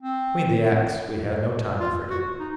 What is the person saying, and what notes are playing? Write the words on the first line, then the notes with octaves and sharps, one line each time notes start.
Between the acts we had no time to forget.
C4
F4
F#4
D#4